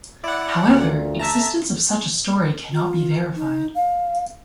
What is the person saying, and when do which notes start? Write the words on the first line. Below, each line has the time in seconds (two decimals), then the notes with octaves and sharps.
However existence of such a story cannot be verified.
0.24 E4 D5 F#5
0.68 D2 A#2
1.19 A3 E5 A5 A#5
2.72 F4
3.36 D#4
3.75 F5